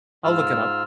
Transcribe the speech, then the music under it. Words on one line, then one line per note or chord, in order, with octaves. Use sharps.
I'll look it up.
G#2 F4 E6 F6